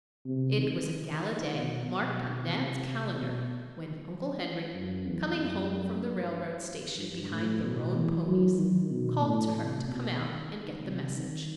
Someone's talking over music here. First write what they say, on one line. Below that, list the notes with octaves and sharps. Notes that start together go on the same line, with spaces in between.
It was a gala day marked on Nan's calendar when Uncle Henry, coming home from the railroad station behind the roan ponies, called to her to come out and get the message.
C3
D#3
B2
B2
C3
B2
F#2
E2
F#2
G2
G2
A2
B2
E3
F#3
D#3
B2
A2
C3
B2
D#3
C3
D#3